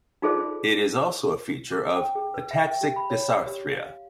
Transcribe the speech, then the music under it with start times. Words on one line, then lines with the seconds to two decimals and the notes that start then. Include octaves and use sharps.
It is also a feature of ataxic dysarthria.
0.22 D#4 F4 G#4 A4 C5 D5
1.72 D6
1.96 G5
2.15 G#4
2.34 B4
2.51 E5
2.67 G5
2.81 G4
2.96 B5
3.10 C#5
3.31 D5
3.47 G4
3.71 F5